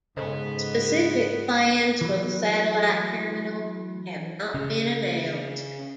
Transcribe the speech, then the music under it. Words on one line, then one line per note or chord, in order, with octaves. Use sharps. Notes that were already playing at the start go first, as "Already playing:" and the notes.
Specific plans for the satellite terminal have not been announced.
G#2 C#3 B3 A4 C5 D#5
E3 F#3
C#3